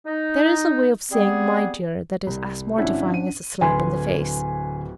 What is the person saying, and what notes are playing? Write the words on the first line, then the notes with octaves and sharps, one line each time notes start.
There is a way of saying "my dear" that is as mortifying as a slap in the face.
D#4
G3 B3 C4 G#4
C2
G#1 C#4 D4 E4 F#5
D#7
D1 D3 B4 G#5 C6